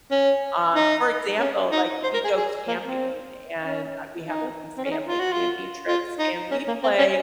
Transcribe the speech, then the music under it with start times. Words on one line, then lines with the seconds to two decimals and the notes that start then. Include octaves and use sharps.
Um, for example, like, we go camping and, uh, we have, like, these family camping trips, and we play
0.11 C#4
0.75 D#4
1.39 C#4
1.72 D#4
2.03 C5
2.14 A#4
2.24 G#4
2.36 G#4
2.68 A#3
2.84 C4
3.64 C#4
4.27 D#4
4.77 C4
4.84 C#4
4.91 D#4
5.08 F4
5.20 F#4
5.33 F4
5.87 F4
6.19 D#4
6.51 C#4
6.68 A#3
6.83 C4
6.99 C#4